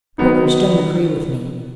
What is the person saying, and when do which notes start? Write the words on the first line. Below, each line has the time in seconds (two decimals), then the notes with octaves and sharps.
Pokers don't agree with me.
0.18 D#3 F#3 B3 D#4